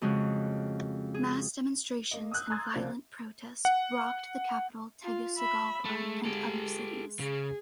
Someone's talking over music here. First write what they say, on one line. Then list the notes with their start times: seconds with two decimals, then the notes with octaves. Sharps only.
Mass demonstrations and violent protests rocked the capital Tegucigalpa and other cities.
0.02 F2 C#3 G#3 F#4
1.14 G#4
2.11 A#3 D#5
2.31 D#6 E6 F#6 G6
2.50 A#5 C6 D#6 E6 G#6 A6
2.74 C2 C#3 F3 A#3 C4 D5
3.65 F#5
5.03 F4
5.38 E5 B5
5.85 G#3 A3
6.25 G4 A4
7.20 C#3 G#4